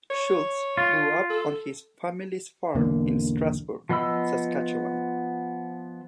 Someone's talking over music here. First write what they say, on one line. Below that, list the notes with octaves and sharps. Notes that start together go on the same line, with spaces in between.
Schultz grew up on his family's farm in Strasbourg, Saskatchewan.
C#5
F4
A4
B1 E2 D3 A#3
F3 B3 D#5 B5 E6